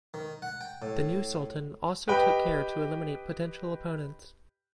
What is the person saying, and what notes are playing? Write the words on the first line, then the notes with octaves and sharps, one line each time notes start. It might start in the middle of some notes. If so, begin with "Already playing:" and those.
The new Sultan also took care to eliminate potential opponents.
D#3
F#5
G5
A2
G4 B4 D#5 G5 B5